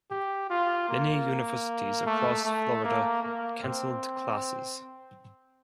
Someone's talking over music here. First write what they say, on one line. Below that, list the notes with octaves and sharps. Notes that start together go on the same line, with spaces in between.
Many universities across Florida canceled classes.
G4
F4
A#3
A3
A3
A#3
A#3
C4